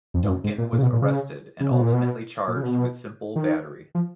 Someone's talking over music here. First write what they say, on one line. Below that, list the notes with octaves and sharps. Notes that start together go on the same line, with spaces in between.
Duncan was arrested and ultimately charged with simple battery.
F2
G#2
F#2
G#2
A#2
A#2
C#3
B2
A#2
C#3
C#3
B2
A#2
B2
A#2
C#3
B2
D#3
F3